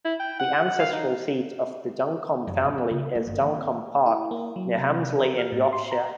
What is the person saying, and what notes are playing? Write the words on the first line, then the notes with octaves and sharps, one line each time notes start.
The ancestral seat of the Duncombe family is Duncombe Park near Helmsley in Yorkshire.
E4
G5
F#5
F5
D#4
F#2
A#2
F3
C#3
A#3
G1
E3
C4
E4
A#3
F#3
C3
A#4
F6
A2
C6
A#5